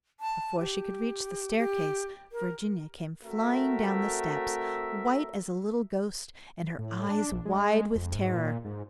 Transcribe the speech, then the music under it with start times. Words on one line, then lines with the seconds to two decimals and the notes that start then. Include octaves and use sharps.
Before she could reach the staircase, Virginia came flying down the steps, white as a little ghost, and her eyes wide with terror.
0.20 A5
0.59 G4
1.58 G4
2.32 A#4
3.24 A3 C4 F#4 A#4 E5
6.78 A2
7.09 D4
7.32 A#1
7.45 G#3
7.95 F2
8.15 G#2
8.34 A#2
8.65 G#2